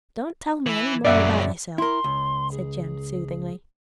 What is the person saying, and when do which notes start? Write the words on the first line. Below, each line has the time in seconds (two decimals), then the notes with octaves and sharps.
"Don't tell me any more about yoursel," said Jem, soothingly.
0.66 E3 E4
1.04 F#2 A#2 C#3 D5 E5 F#5
1.78 E4 A#4 C6
2.04 C#2
2.51 G#4